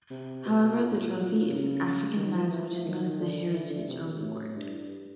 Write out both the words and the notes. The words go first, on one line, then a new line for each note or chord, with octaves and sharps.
However, the trophy is an African mask which is known as the Heritage Award.
C3
B2
A#2
A2
A#2
C#3
D#3
F3
E3
F3
D#3
D3
D#3
E3
D3
C3
B2
G#2
A2
G2